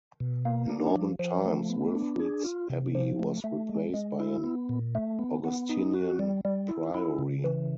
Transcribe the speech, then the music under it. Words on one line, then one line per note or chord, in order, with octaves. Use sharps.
In Norman times Wilfrid's abbey was replaced by an Augustinian priory.
B2
A#3
D4
F3
F3
A3
B3
D4
G#4
F4
C3
F3
A3
A3
G#3
G#3
E4
B3
A#2
A3
B3
B3
D#4
F#4
G3
G3
E4
E4
C#3
E3